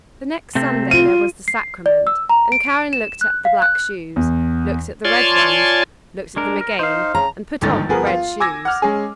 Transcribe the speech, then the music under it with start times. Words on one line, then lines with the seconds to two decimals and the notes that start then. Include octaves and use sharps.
The next Sunday there was the sacrament, and Karen looked at the black shoes, looked at the red ones--looked at them again, and put on the red shoes.
0.55 C3 A3 C4
0.91 F4 D#7
1.48 C7
1.86 D5
2.07 E6
2.29 A#5
2.52 D7
2.93 E7
3.21 F#6
3.45 F5
3.62 F#6
4.16 E2
5.05 F4 C#5 D5 G#5 A5 C6
6.36 G#3 D4 A#4
6.61 A#4
6.79 D#4 C5 F5
7.15 C#3 A#5
7.62 G1 G#2 D3 D#3 D#4 A6
7.88 G1 F3 B3 G#4 A#4
8.07 F4
8.40 G#5 D6 E6 G#6 A#6
8.65 F#5 F6
8.82 G#3 C#4 G#4